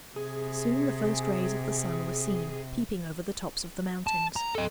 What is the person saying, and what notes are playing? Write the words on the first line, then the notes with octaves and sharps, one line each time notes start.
Soon the first rays of the sun were seen peeping over the tops of the mountains.
C3 G#4
A5
A#5
A4 D#5